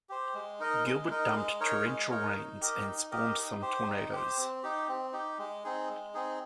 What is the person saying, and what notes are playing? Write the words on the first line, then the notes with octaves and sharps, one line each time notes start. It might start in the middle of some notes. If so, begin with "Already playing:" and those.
Gilbert dumped torrential rains and spawned some tornadoes.
G4 C5
G#3
D#4 A#4 D#5
G#3
D#4 A#4 D#5
G#3
D#4 A#4 C#5
G#3
D#4 A#4 C#5
D#4
G4 A#4 D#5
D#4
G4 A#4 D#5
D#4
G4 C5
D#4
G4 C5
C4
D#4 G4
C4
D#4 G4
G#3
C4 D#4 G#4
G#3
C4 D#4 G#4